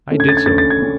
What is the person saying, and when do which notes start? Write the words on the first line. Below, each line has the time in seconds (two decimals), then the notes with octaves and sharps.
I did so.
0.11 D3 A3 C#4
0.20 G#6
0.29 A6
0.37 G#6
0.46 D3 A3 C#4 A6
0.58 A6
0.70 G#6
0.82 C#4